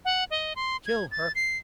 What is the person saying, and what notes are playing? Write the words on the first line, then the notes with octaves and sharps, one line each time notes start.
Kill her!
F#5
D#5
C6
G#6
A6
C7